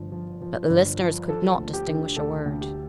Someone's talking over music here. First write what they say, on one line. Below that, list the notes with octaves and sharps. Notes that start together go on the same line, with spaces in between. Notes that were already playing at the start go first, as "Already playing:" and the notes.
But the listeners could not distinguish a word.
Already playing: G1 F3
F3
F3
G1
F3
F3 A4
D2
G4
D3
D2 A4
D2
G4